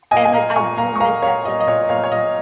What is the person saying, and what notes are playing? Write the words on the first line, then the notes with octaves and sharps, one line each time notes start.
and, like, I do miss that feeling sometimes
A#2 D#5 G#5
G#5
A#2 F5 A#5
A#2 G#5 C#6
A#2 F5 A#5
C#6
A#3 F5 A#5
A#3 C#5 F5
A#2 D#5
D#5
A#2 C#5
A#2 C#5 F5
C#5
A#2 D#5